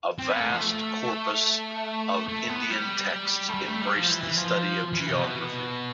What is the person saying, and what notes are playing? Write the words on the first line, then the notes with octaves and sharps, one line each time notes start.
A vast corpus of Indian texts embraced the study of geography.
C4
B3
A3
F3
A3
A3
B3
G3
A3
G3
A3
G3
F3
E3
E3
F3
E3
C3
B2